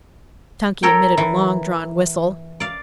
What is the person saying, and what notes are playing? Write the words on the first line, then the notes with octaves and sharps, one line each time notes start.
Chunky emitted a long-drawn whistle.
A4 A#4 C#5 G5
E3
D5 F5